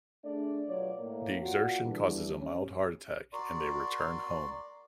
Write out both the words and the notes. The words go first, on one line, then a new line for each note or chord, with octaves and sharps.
The exertion causes a mild heart attack and they return home.
A3 D4 G#4 D5
B2 F#3 F4 C#5 D5
A2 A#3
A#2 F4 F#4
D3 E3 G3
C#4
F#4 A#4 D5 C6